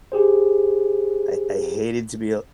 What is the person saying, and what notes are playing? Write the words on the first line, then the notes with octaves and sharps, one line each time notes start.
I I hated to be a
G4 G#4 C5